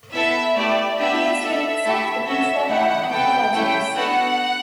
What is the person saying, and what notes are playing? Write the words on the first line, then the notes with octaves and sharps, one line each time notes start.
He is represented in several anthologies.
B3 E4 A4 E5
A3 E4 G4 D5
B3 D4 G4 E5
D4 A4 E5
A3 E4 A4
C#4 F#4 A4 E5
A3 E4 G4 F#5
B3 F#4 A4 G5
A3 C#4 E4 G4 G5
B3 D4 F#4 A4 F#5